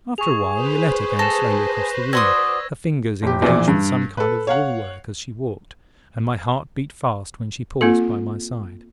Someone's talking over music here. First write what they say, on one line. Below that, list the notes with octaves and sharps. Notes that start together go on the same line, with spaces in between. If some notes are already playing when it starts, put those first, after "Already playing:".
After a while Yoletta came slowly across the room, her fingers engaged with some kind of wool-work as she walked, and my heart beat fast when she paused by my side.
G#4 C#6 F7
B4 C5
A4 A#6 E7
F#4 D5 C6 D#6 E6 G#6 A#6
F1 G4
A#1 A#2 E3 D5
G2
A4 B4
C#5 F5 F#5
A#3 C4 F4 A4